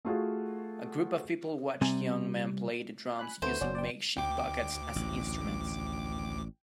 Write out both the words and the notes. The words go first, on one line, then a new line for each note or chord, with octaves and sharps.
A group of people watch young men play the drums using makeshift buckets as instruments.
A3 F4 F#4 G#4
C3 G3 C4 F#5 G#5 A#5
G#5 B5 F#6
D2 A3 B3 C5
F#1 C#4 F#4 D5
D5 G5
D2 G5 D6
A1